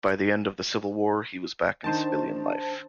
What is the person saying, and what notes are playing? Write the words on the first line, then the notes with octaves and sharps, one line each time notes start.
By the end of the Civil War he was back in civilian life.
D#3 D4 C5 A5